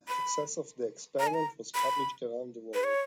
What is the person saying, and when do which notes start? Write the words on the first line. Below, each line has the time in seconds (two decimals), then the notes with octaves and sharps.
The success of the experiment was published around the world.
0.08 B5
1.19 A#5
1.27 G#5
1.34 A#5
1.75 B5
2.74 B4
2.84 C#5